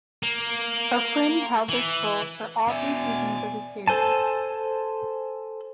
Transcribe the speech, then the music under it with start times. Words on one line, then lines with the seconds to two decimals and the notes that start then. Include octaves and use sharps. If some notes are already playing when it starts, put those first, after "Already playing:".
O'Quinn held this role for all three seasons of the series.
0.23 A#3
1.69 E3
2.68 B2 D5 E5 G#5
3.88 A4 C5 G#5 A5